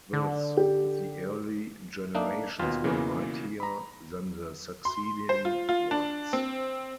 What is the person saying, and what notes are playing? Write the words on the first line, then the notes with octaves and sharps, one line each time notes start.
Thus, the early generations were mightier than the succeeding ones.
D3
G4
A#3 D4 D#4 E5
D#2 B2 F4
C#3 E3 A#3
A#5 B5
C6
C5
F4
F4
D4
C4